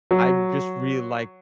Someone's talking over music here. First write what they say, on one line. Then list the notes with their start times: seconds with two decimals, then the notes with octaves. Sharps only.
I just really like
0.11 F#3